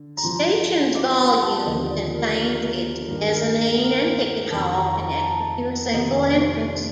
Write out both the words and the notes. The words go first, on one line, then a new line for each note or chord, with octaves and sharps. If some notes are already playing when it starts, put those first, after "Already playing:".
The station's volume contains its mezzanine and ticket hall, connected to a single entrance.
Already playing: D3
A#5
G2 F3 C6
D6
C6
A5
D#2 D3 F3 D#5
D5
A#4
A#4
G2 D#3 A#4
A#4
A#4
A#4
F2 D#3 A5
A#5
A#5
A5
F2 C3 D#3 D#5
D5
C5